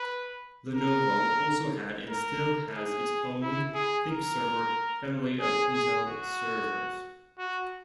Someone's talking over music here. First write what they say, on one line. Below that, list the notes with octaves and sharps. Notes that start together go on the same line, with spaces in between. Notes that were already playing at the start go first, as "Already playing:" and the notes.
Lenovo also had and still has its own ThinkServer family of Intel servers.
Already playing: B4
A#4
A#4
G#4
E4
G#4
A#4
G#4
G#4
F#4
F#4